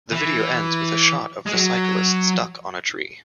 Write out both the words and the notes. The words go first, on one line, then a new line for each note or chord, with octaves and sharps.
The video ends with a shot of the cyclist stuck on a tree.
E3
G#3
F#3